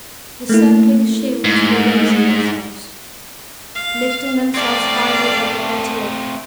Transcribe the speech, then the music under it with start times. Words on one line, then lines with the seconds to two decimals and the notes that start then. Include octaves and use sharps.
The circling shields were raising themselves, lifting themselves higher above the crater-lip.
0.49 A3 A#3 E4
1.44 G#2
3.75 F5
4.54 A3 C4 D5 F5